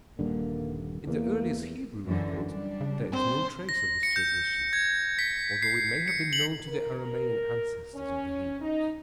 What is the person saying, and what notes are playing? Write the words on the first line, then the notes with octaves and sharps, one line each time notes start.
In the earliest Hebrew records there is no trace of this tradition, although it may have been known to the Aramean ancestors of the Hebrews.
D#1 G2 D3 A#3
E2 A#3
F#2 D3 E3
G3 D4
C#3
C4 C5
A#6
C#7
G6
G#6
B6
C7
C#7
F#7
A#4
C#4
D#4